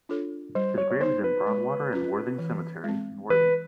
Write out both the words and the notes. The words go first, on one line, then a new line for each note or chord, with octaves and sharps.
His grave is in Broadwater and Worthing Cemetery in Worthing.
D4 F4 A4 C#5
G3 C5
C#5
C#5
B3 D#4 C5
B4
G#3
C#4 F4
E3
G#3 C4
E3 B4